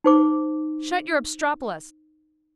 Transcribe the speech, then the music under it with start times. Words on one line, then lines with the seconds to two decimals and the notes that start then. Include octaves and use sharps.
Shut your obstropolos.
0.04 D#4 C5 D6